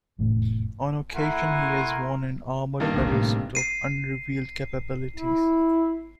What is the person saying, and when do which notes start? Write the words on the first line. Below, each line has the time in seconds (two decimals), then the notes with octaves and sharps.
On occasion, he has worn an armored battlesuit of unrevealed capabilities.
0.19 F1 E2 A2
1.13 A3 E4 A#4 F#5 G#5 C6
2.80 G2 D#3 A#3
2.94 G1 C2 B2
3.07 A2 C3
3.55 C7 D#7
5.16 E4